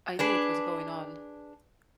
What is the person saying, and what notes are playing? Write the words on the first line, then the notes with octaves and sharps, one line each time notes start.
I knew what was going on.
D4 G#4 B4